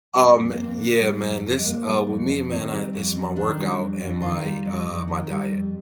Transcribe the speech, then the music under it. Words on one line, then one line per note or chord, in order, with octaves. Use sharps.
Um, yeah, man. This, uh, with me, man, I it's my workout and my, uh, my diet.
G3
C4
F2
A#3
F2 C4
A#3
D3
G3
F2
F2
G#3
D3 A#3
G3
F2
F2
D#3 C4
G3
F2
F2
D#3 D4
G3
F2
F2
D#3 F4
G3
F2
F2
D#3
G3
F2